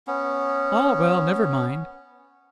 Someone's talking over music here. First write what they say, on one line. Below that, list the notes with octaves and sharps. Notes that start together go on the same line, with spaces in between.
Ah, well, never mind.
B3 C#4